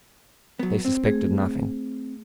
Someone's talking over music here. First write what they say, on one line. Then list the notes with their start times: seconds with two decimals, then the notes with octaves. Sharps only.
They suspected nothing.
0.59 F#3 B3
0.85 C4
1.04 A3 G#4